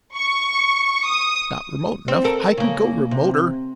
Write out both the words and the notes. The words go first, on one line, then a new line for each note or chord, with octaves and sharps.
If not remote enough, I can go remoter.
C#6
D#6
C4
A4 A#4
C#3 A#3
C3